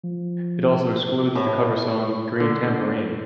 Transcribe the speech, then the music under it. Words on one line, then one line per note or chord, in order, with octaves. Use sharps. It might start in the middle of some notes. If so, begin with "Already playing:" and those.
It also excludes the cover song "Green Tamborine".
F3
A2
D3